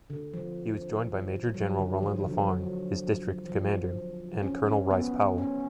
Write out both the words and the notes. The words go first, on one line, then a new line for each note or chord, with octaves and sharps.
He was joined by Major-General Rowland Laugharne, his district commander, and Colonel Rice Powell.
D3
F3
F#3
D3
F3
F3
D3
F#3
F3
F3
C#4
C#4
B3
C#4